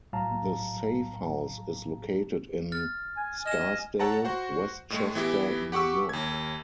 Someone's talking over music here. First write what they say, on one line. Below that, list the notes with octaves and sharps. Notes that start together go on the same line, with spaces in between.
The safe house is located in Scarsdale, West Chester, New York.
B1 A2 F#3 F5 A5 A#5
F6 A6
G#5
D#5 G#5 F6 E7
A4 C#5 F#5 A5 A#5
F#4 C5 F#5
A2 G#3 A3
E3 B3 E4 G4
G4 F#5 C#6 D6 E6
D#2 G#6